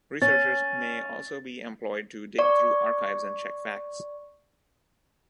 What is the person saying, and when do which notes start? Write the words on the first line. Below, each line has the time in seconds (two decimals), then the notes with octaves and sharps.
Researchers may also be employed to dig through archives and check facts.
0.22 C#4 A6
2.39 D5 C#6